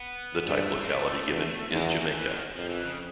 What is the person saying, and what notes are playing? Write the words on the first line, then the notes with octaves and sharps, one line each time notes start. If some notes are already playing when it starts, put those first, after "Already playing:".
The type locality given is "Jamaica".
Already playing: B3
G2 A3
A#3
A3
E2
E2 G#3
F#3
F3
E3
D#3
F2 F3
E3
C#3